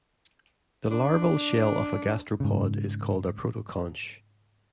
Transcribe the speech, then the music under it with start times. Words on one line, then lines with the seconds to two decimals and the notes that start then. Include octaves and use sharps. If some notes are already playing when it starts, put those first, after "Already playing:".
The larval shell of a gastropod is called a protoconch.
0.91 D4
2.40 G#2 C#3